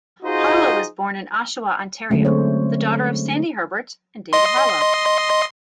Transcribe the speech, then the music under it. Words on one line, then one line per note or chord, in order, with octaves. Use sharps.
Harlow was born in Oshawa, Ontario, the daughter of Sandi Herbert and David Harlow.
D#4 F4 F#4 G#4 C5 D#5
D3 F#3 G#3 A3 C#4
C4 C5 C#5
D#5 C6